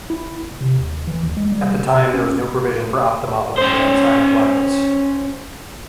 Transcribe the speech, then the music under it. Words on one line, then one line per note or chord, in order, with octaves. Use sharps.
At the time there was no provision for ophthalmology outside of Lagos.
E4
F1
C3
D#2
E3
D#2
G#3
G3
D1
B2
C#4
C#4 C5